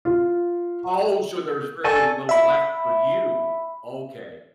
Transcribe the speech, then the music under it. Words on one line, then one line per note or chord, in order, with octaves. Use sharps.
Oh, so there's very little left for you. Okay,
F4
A4 D5 G#5 C#6
E5 B5